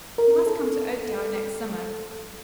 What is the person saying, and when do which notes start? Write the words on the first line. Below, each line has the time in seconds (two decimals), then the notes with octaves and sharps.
You must come to Oakdale next summer.
0.18 A#4
0.46 A4